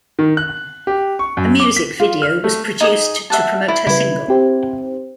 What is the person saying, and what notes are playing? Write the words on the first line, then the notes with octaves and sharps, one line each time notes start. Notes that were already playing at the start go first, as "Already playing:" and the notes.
A music video was produced to promote her single.
D#3
F#6
G4
C#6
F#2
D6
B6
F4
F6
A3
D#4 G#4 D#6
E5 F#5 A5
E4
C#3 G3 E4 B4
C4 G4 C5